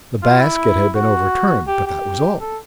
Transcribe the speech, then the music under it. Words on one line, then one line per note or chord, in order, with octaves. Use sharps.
The basket had been overturned, but that was all.
F4
E4
F#4
G4
G4
A4